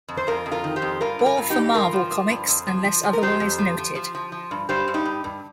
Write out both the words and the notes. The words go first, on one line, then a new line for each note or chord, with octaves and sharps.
All for Marvel Comics unless otherwise noted.
F2
C5
F2 F4 A#4
F2
F4 A#4
D#3
G4 C5
F2
G2 F4 A#4
G2
F4 A#4
G2
D#4 G4
G2
G2 F4 A#4
F3
F3
G2
F2
F3
F3
F3
A#4
F2 G4 C5
F2
F3
F3
F3
F3
F3
G2
G2 G4 C5
G2
D#4 G4
G2
G2